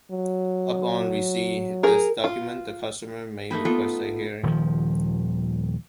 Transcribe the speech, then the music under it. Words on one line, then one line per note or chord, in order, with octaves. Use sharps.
Upon receipt of this document, the customer may request a hearing.
F#3
G#4 A#4
F4
A3 A#3 D#4 B4
B3 F4 A4
D#1 D#3 F3